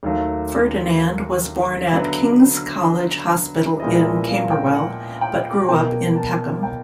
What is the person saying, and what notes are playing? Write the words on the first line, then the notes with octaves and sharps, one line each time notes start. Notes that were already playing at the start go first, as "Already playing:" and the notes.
Ferdinand was born at King's College Hospital in Camberwell, but grew up in Peckham.
D#2 D#3 F#3 A3 F5
D3 F#3 B3 E5
A#2 F3 G#3 B3 E4 D#5
E5
F5
G5
F#5
G5
B2 F#3 A#3 G5
A5
G5